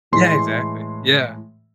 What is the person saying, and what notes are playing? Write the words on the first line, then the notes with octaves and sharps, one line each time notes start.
Yeah, exactly. Yeah.
A2 E3 G#3 C6